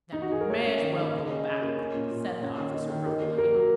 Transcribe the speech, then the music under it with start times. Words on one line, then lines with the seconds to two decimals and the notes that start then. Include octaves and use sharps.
"Then we may as well go back," said the officer, grumpily.
0.13 D#4
0.22 F#4
0.31 G#4
0.41 A#4
0.50 A#3 C#5
0.66 C#4
0.82 D#3
0.98 D#3
1.14 C#3 D#5
1.30 C#4 D#5
1.46 C#4
1.62 A#3
1.78 C#4
1.94 A#2
2.11 A#2
2.26 A#2
2.42 C#4
2.58 D#3
2.74 D#3
2.90 D#3
3.06 A#3
3.22 A#3
3.38 A#3 A#4
3.55 F#3